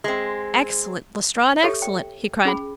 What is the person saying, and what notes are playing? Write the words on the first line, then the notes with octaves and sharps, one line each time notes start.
"Excellent, Lestrade, excellent!" he cried.
G#3 C4
G4 A4 C#5 E5
G5
C#4 G#4 B5